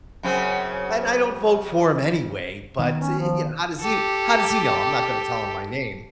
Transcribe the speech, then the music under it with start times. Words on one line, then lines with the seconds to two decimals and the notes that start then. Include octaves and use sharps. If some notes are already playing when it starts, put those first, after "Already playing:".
And I don't vote for him anyway, but, eh, you how does he how does he know? I'm not gonna tell him my name,
0.23 F#2 C#3 C4
2.79 D#3 B3
3.00 C#4
3.20 F3
3.81 G4 A4